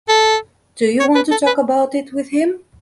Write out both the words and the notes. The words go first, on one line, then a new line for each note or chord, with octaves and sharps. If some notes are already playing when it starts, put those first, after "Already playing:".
Do you want to talk about it with him?
A4
C#5
B4
A4
B4